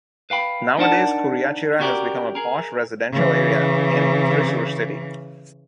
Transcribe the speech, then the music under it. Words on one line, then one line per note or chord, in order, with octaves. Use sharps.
Nowadays, Kuriachira has become a posh residential area in Thrissur city.
B4 F5 G5 B5
D4 D#4 A#4 D5 F#5 A5
C#4 F#4 G4 A#4 D5
G#4 A#4
C#3 E3